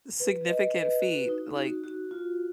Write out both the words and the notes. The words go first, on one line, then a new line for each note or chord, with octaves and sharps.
significant feat, like,
B4
D#5
B4
F#4
D#4
F#4
F#4
F4